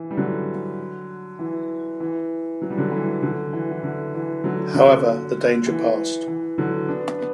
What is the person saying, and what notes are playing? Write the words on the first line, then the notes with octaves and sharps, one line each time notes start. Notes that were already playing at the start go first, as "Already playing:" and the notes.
However, the danger passed.
Already playing: E3
G3
D3 F#3
E3
E3
F#3
G3
D3 F#3
E3 G3
D3 F#3
E3
E3
D3
E3
D3 F#3
D3 F#3
E3
E3
D3 F#3
B3 D4
B3